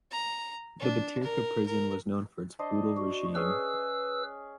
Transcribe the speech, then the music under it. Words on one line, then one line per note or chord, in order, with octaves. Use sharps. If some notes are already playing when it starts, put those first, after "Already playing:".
The Butyrka prison was known for its brutal regime.
A#5
D4
A#4
A#4
D4 C5 D#5
F#4
C#4 G#4 B4 E6